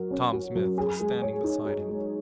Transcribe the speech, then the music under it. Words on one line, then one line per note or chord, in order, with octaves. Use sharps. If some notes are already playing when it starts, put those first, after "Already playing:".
Tom Smith was standing beside him.
Already playing: F#3 F#4 A#4
C#4
F#4
F#3
G#4
G#3
C#5
D#4
G#4
G#3